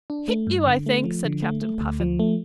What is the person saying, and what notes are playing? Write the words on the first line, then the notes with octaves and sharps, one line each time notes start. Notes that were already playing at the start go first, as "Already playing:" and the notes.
"Hit you, I think," said Captain Puffin.
D4
A3
G2
D3
A3
F3
D3
A3
A3
D2
F3
A3